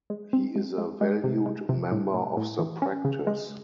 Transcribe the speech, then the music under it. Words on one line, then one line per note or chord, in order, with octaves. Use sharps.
He is a valued member of the practice.
G#3
C4
G#3
G#3
G#3
C3
G#3
C3
A2
A2
A2
E3
C#4
C#3
G#3